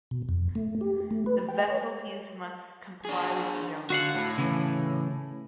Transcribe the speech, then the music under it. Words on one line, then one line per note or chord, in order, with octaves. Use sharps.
The vessels used must comply with the Jones Act.
B2
F2
A3
G4
A3
B4
G5
C#5
D4 G#4
D3 F#4 F5 F#5
A2
C#3 E3